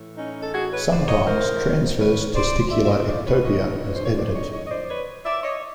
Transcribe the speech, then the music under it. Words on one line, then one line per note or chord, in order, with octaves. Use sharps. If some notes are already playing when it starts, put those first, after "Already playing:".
Sometimes, transverse testicular ectopia is evident.
Already playing: A2 E3
C#4 D#4
A4
F#4 G#4
B4 C#5
C5 D5
C#5 D#5
A#4 C5
B4 C#5
C5 D5
F2 D3 D5 E5
E5
C#5 D#5
C5 D5
B4 C#5
C#5 D#5
B4
C5
C#5
C5 D5
C#5 D#5
C#5 D#5
D#5
C5 D5
B4 C#5
D5 E5
C#5 D#5